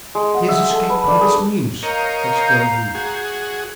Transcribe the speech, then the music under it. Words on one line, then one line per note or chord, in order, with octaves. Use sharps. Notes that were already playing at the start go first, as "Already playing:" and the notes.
"He has escaped by this means," exclaimed he.
G#3
F#5
E5
A4
B4
D4
G#4
A#4 C#5 D#5 F5 A#5 G6
F#4 G#4